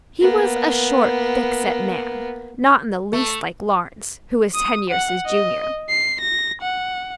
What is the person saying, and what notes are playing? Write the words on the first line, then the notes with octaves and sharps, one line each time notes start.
He was a short, thickset man, not in the least like Lawrence, who was ten years his junior.
A#3 B3
A3
D#6
F#5
D#5
C7
A#6
F#5